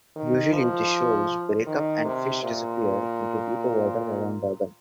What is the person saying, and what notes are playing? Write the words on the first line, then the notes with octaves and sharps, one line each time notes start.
Usually the shoals break up and the fish disappear into deeper water around Durban.
D#3
F3
D#3
C3
A#2